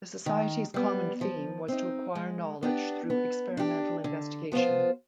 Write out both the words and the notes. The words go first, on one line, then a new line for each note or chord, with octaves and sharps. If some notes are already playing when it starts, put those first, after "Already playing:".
The society's common theme was to acquire knowledge through experimental investigation.
D#3
G3 B3
F3
C4 D#4
G#3
B3 D4 G4
B3
D4 G4
D3
F3 B3 F4 C5